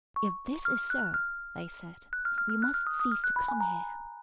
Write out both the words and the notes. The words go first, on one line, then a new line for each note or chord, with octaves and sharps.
"If this is so," they said, "we must cease to come here."
C#6
F6
F#6
F6
F#6
F6
F6
F6
F#6
F6
D#6
D#6
F6
F#6
B5
G#5
A#5